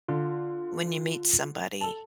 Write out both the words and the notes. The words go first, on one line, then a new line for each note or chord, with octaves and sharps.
when you meet somebody.
D3 F4
A4 A5